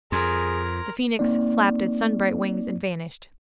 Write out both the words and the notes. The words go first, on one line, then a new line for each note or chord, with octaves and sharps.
The Phoenix flapped its sunbright wings and vanished.
F2 G#4 A#4 C6 G#6
A#3 C4 D#4 D5